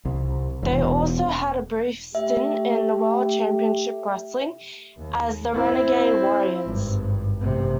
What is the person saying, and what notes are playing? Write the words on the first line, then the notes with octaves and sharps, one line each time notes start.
They also had a brief stint in World Championship Wrestling as "The Renegade Warriors".
C2
E1
A3 G4 E5
D#2
C4 E4
G#1 G2
A1 C3